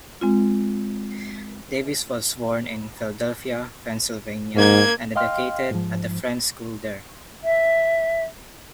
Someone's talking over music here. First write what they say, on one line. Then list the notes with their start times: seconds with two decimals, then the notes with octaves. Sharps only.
Davis was born in Philadelphia, Pennsylvania and educated at the "Friends School" there.
0.21 G#3 C4 F4
4.55 G#2 A#3 G#6
5.16 D#5 F5 G5 C6 F6
5.71 G#2 F3
7.44 E5